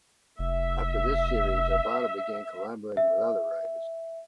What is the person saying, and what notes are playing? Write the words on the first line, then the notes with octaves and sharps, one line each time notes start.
After this series, Obata began collaborating with other writers.
F1 E5
E5